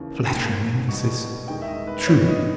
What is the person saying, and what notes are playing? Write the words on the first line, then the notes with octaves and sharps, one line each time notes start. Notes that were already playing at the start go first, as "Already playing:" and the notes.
A flattering emphasis, truly!
Already playing: D#2 C#3 E3
G#2 D#3 A#3
B2 G3 B3 D#4 C#6
E2 D#3 G#3 D#4 G5
E5
D#5
B4
B4
G2 G3 B3 C#5
D#5